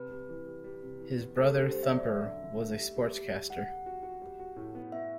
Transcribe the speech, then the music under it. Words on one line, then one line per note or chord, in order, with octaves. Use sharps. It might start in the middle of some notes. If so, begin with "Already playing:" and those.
His brother Thumper was a sportscaster.
Already playing: C3 B4
G3
E3
G3
G3
C3
E3
E2
A3 A4
D3 G4
A3 C5
E5
F#3 D5
F#3 E5
D3
D3
A3
G3
G3
G3
G3
G3 F#5
G3
F#4
F#4
G3
F#4
A2
B3
B3 E5